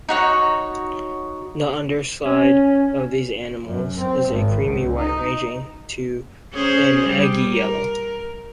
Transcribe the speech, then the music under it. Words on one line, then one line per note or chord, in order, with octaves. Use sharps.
The underside of these animals is a creamy white ranging to an eggy yellow.
D#4 F#4 C#5
C#4
F#2
C4
G#1
C#2
D#4
C#4 G#4 C5
G3
A#4